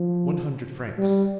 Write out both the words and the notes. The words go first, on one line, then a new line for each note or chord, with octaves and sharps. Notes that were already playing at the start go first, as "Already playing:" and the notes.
"One hundred francs!"
Already playing: F3
G3